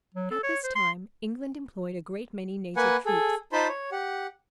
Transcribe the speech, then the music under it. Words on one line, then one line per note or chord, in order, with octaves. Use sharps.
At this time England employed a great many native troops.
F#3
A4
C#5
C5
C6
A#3 B4 F#5 G#5
G#4 A4
D#4 F4 C5 A5 B5 C6
C#5
G4 F#5